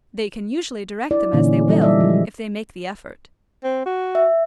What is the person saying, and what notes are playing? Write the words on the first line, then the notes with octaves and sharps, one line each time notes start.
"They can usually direct them as they will, if they make the effort."
E4 D5
A#2 D3 E3 C#4 D#4
E3 F#3 G3 A4 D#5
G3 D5 E5
F3 G#3
C4
F#4
E5